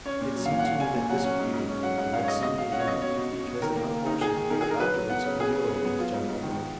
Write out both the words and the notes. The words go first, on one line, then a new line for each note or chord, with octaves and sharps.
It seemed to me that this view had something in it, because the unfortunate youth afterwards mutilated his genital organs.
C#4 C#5
A#2
F#3
F5
A#2
F#5
A#2 F5
A#2 G#5
A#2 G#5
F#3 F#5
C#4 F#5
G#2
G#2
C#4
F#3 F#5
G#2 F#5
G#2 F5
C#5
G#2 D#5
B2 D#5
B2 F5
C#4 F#5
C#5
B2 D#5
B2 C#5
B2
B2
B2
D#3 A#4
A#3
A#3
D#4
D#4 G#4
D#3
D#4 A#4
D#4 G#4
A#4
F#3 B4
F#3
B3 F#5
C#3
C#3 G#4
B3
B3
B3
F#3 F4
G#2
G#2
D#3